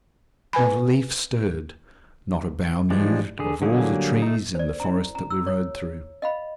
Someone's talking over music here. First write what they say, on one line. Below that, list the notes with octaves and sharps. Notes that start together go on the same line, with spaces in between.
Not a leaf stirred--not a bough moved of all the trees in the forest that we rode through.
B4 G#5 B5
E3 F3 G3 G#3 D4
D3 G#4
D3 F#3 G3 A#3 G#4
A3 D#4
C5 D5
E4 A#5
A#5
E6
C#5
D#5 F5 B5